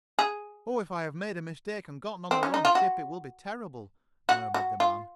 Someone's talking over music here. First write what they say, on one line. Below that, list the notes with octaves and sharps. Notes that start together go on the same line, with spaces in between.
"Oh, if I have made a mistake and gotten on the wrong ship it will be terrible," murmured the man.
G#4
C4
C#4
D#4
F4
F#4
F#4
F#4
F4